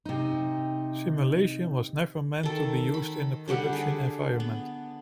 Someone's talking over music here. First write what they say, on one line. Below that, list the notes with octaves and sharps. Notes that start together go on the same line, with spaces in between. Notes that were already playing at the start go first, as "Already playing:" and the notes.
Simulation was never meant to be used in a production environment.
C3 D#4
D#3 A4
B5
D3 G3 G4 F#5
G#4 B4
B3